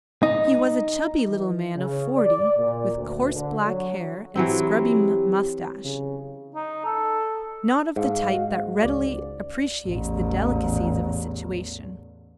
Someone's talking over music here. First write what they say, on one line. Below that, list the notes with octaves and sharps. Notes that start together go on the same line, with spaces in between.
He was a chubby little man of forty, with coarse black hair and scrubby moustache, not of the type that readily appreciates the delicacies of a situation.
D#4
E3
C#3
D5
A#2
D2
D3
F#3
E3 F#3 C4 G4
C#3
D#4
A4
G#2 F5
F#4
C#2 C#4 D5
A1 E2